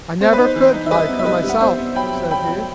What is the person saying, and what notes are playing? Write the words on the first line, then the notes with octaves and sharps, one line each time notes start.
'I never could like her myself,' said he.
B3 C5
B4
D#4
C5
E3
D#4
E5
G3 B4 D#5
B3
E5
G3 B4 D#5
G3
F#5
B3 C5 E5
B3
F#3 G5 B5
F#3
F#3 G5 B5
F#3